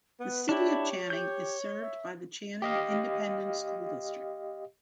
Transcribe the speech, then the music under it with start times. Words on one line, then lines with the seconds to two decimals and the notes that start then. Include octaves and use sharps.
The City of Channing is served by the Channing Independent School District.
0.20 B3 B4
0.49 D4 E4 G4 C#5
1.10 G4 G6
1.81 E5
2.62 G4 D#5 F5